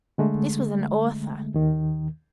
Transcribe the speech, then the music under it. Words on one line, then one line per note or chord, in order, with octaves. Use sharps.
This was an author.
D3 G#3 A3
D#2 D#3